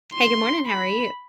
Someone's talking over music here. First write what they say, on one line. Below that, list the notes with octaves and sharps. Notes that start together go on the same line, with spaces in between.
Hey, good morning, how are you?
C6
B5